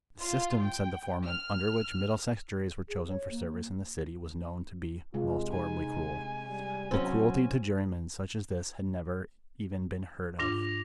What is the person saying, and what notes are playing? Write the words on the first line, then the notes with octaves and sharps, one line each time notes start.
The system, said the foreman, under which Middlesex juries were chosen for service in the City was known to be most horribly cruel;--but cruelty to jurymen such as this had never even been heard of.
F4
G5
F6
G#4
C#5
A#3
C3 G#3 F4
D#4 G#5
G3
F#3 C4 C#4
G#2 D4 F4 D6 A#6 F7